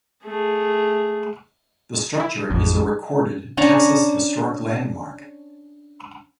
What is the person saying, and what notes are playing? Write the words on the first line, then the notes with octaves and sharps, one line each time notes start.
The structure is a Recorded Texas Historic Landmark.
A3 G#4
E4
A1 F2
C#4 D4 C#5 A#5